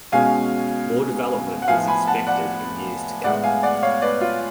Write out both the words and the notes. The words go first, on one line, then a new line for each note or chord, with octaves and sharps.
More development is expected in years to come.
B2 G#3 C#4 F5 G#5
F#5
A2 F3 B3 F5 G#5
G#5 B5
F#5 A5
D5 F#5
A2 G#3 B3 D5 F#5
F5 G#5
D5 F#5
C#5 F5
B4 D5
F4